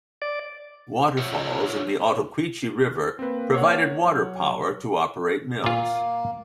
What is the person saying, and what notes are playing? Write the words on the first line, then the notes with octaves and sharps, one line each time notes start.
Waterfalls in the Ottauquechee River provided water power to operate mills.
D5
F4 A4 C5 C#5 E5 F#5
A#3 C4 B4
C#5 F#5
F#3
A#2 A#3 F4